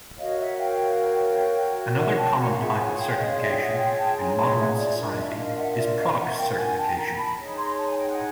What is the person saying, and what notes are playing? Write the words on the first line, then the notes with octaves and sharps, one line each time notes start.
Another common type of certification in modern society is product certification.
F#4 A#4 C#5 D#5 F5
E5 F#5
F5 G5
E5 F#5
G5 A5
F#5 G#5
F5
F4 G#4 C#5 E5 F#5
F#5 G#5
F5 G5
E5
D#5 F5
D5 E5
G5
E5 F#5
F5 G5
G5 A5
G#5 A#5
A#5 C6
E5 F#5
D5 E5
D4 F4 A#4 D5
D#5
D5 E5
D#5 F5
E5 F#5
D5 E5
D#5 F5
E5 F#5
F5 G5
F#5 G#5
G5 A5
G#5 A#5
A5 B5
D#4 G#4 C#5
A#5 C6
A5
G#5
G5
F#5 G#5